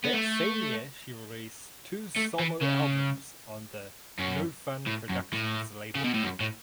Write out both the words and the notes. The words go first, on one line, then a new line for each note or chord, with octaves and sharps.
That same year she released two solo albums on the No Fun Productions label.
B3
A3
A3
E3
C#3
F#2
A2
F#2
A2
C#3
B2
A2
F#2
A2